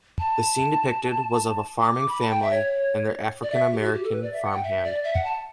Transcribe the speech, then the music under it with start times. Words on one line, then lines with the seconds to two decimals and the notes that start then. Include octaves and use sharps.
The scene depicted was of a farming family and their African American farm hand.
0.19 A5
1.80 D6
1.94 D6
2.08 B5
2.21 A5
2.31 G5
2.42 E5
2.51 C#5
3.43 D5
3.52 E5
3.73 G4
3.83 F#4
3.93 G4
4.04 A4
4.12 B4
4.23 D5
4.33 E5
4.44 F#5
4.53 G5
4.64 E5
4.84 D5
5.04 E5
5.14 F#5
5.24 A5